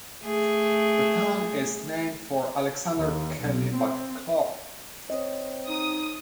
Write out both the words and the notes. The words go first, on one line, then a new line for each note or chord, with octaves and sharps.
The town is named for Alexander Kelly McClure.
A3 G#4
D#2
B1
C4
C4 C#5 D#5
D#4 D#6